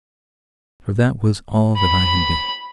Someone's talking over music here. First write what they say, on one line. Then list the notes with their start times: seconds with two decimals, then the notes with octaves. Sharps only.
For that was all that I had been.
1.77 B5